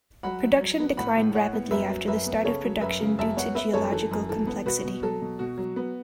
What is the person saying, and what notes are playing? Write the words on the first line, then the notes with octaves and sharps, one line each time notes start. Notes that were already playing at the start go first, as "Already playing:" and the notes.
Production declined rapidly after the start of production due to geological complexity.
F#3 F#5 B5
F#3
F#3
B3
A2 F#5 B5
A2
A2 C#5 F#5
B3
F#2 B4 E5
F#3
F#2 B4 E5
B3
C#3 A4 C#5
F#3
F#2 B4 E5
C#3
F#2 E5 A5
B3 C#5 F#5
B3 B4 E5
F#2 A4 C#5
E3 A4
F#2
E3 A4
B3
B2 F#4 B4
B2
F#3 A4
B2
B2 F#4
F#3
B3